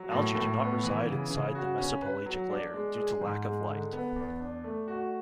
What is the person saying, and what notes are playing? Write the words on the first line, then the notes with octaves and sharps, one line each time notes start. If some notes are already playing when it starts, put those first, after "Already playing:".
Algae do not reside inside the mesopelagic layer, due to lack of light.
Already playing: F#3
A2
A2
B3
E3
C#3
C#3
F#4
C#4
B4
F#3
D4
G#3
G#4
G#2
G#3
D3
B3
E2
D4
A3
F#4